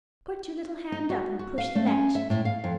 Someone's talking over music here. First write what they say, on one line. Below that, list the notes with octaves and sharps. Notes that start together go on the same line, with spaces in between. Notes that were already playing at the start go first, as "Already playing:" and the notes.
Put your little hand up and push the latch.
D#4
F#4
F#4
F5
A3
C#4
E5
A2
F5
F2